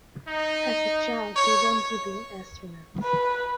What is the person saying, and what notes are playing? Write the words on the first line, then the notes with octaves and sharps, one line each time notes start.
As a child he wanted to be an astronaut.
D#4
C#5
B4